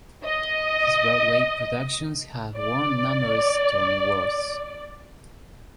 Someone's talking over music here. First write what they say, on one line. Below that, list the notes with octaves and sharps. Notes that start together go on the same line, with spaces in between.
His Broadway productions have won numerous Tony Awards.
D#5
D5